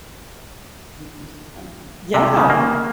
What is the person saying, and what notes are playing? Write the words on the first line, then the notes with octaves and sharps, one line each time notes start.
These are so fun. Yeah.
C3
C#3
A#3